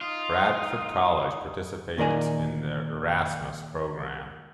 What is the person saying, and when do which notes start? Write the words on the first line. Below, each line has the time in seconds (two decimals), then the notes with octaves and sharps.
Bradford College participates in the Erasmus Programme.
0.01 D#4 F4
1.98 A#2 D#3 A#4 D5 G#5